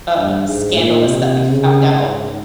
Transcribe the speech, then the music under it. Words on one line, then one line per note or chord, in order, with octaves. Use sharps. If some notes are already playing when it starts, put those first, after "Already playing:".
uh, scandalous that we found out.
G2
G#2
A#2
C3
C#3
G#2